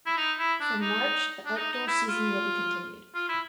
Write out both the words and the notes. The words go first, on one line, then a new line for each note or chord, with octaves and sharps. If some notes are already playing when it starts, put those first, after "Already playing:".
From March the outdoor season will be continued.
E4
D#4
E4
D4
D#4
D4
D#4
D#4
E4
F4
F4
E4